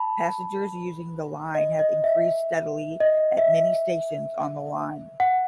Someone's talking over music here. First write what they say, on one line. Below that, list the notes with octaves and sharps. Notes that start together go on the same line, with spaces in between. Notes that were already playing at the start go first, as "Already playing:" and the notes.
Passengers using the line have increased steadily at many stations on the line.
Already playing: A5 B5
D#5
D#5
E5
D#5
E5
F#5